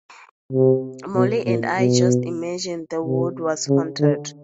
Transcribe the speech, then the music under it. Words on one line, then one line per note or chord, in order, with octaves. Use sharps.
Molly and I just imagined the wood was haunted.
C3
B2
A#2
B2
C3
C#3
D3